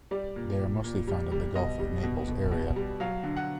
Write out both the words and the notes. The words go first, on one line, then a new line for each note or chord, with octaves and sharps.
They are mostly found in the Gulf of Naples area.
G3 D5
A#2
A#2
A#2
G3
G3
B2 D#5
G3
B2
B2
B2
G3
F#3 F5
D3
F#5